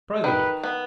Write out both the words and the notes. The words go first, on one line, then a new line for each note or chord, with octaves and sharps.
Try the book.
D#3 B4
B3